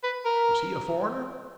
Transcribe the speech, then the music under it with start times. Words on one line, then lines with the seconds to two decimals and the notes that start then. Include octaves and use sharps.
Was he a foreigner?
0.03 B4
0.25 A#4